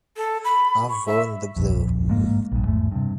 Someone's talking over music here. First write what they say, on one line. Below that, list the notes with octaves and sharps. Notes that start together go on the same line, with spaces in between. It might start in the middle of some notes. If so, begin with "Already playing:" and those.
I’ve worn the blue.
A4
B5
C#6
E5
D#1 A#1 F2
G1 G#2 A#3
A#1 G2
E2 G#2 A3
G2 C3